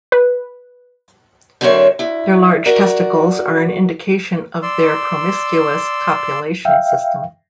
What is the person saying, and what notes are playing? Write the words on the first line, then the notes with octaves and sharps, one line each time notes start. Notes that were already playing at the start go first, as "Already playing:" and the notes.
Their large testicles are an indication of their promiscuous copulation system.
B4
D3 F#3 C4 A#4 C#5 E5
D2 E4
F#4 A#4 D5
D5 C6 E6
E5 F5 G5